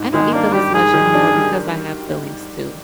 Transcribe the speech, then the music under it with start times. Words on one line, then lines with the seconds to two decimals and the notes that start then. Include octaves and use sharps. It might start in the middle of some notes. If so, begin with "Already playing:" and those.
I don't eat them as much anymore because I have fillings too
Already playing: G#2
0.14 D#3 G#3
0.33 A#3 D4
0.53 G3 G4
0.74 G#2 G#4
0.94 D#3
1.14 D4
1.34 G3